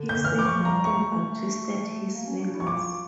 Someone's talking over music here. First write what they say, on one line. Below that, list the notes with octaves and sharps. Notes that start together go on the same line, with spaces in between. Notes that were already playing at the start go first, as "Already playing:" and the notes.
He said nothing, but twisted his fingers.
Already playing: D3
G6
E3 F6
D6
F3 C#6
G3 A#5
A3 C#6
A3
A3
A#3
C#4
D4
E4
C#6
F4 D6